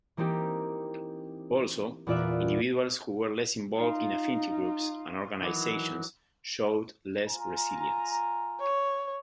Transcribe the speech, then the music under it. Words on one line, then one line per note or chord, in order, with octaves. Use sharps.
Also, individuals who were less involved in affinity groups and organisations showed less resilience.
E3 A#3 C4 D#4 G4
E2 A#2 F4 D5 E5 F#6
D#4 F4
D#3 E3 F#3
F4 G#5 A#5
C#5